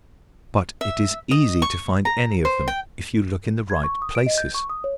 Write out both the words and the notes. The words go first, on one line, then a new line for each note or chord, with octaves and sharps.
But it is easy to find any of them if you look in the right places.
E5
D#5
C#6
A#5
C5
G5
G#6
C#6
D#6
D7
D#5
G6
C#6
D#6
C#5